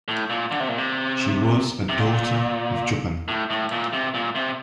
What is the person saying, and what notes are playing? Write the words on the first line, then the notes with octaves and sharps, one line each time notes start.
She was a daughter of Chupan.
A2
A#2
D3
C3
A#2
C3
C3
A#2
A2
A2
A#2
C3
A#2
C3